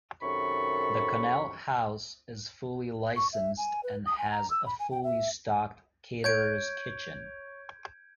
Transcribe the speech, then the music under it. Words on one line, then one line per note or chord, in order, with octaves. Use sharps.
The Connell House is fully licensed and has a fully stocked caterer's kitchen.
F#2 C3 D#3 A4 B5 C#6
C#6
E5
G#5
B4
D#6
G#5
A#5
E6
B5
G#5
G5
E5
C#5 G6 G#6 D7